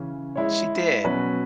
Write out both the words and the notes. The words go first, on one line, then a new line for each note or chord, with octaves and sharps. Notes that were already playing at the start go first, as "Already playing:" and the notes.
She did.
Already playing: C#3 E3 C#4
G#3 E4 C#5
B2 F#3 C#4 F#4 B4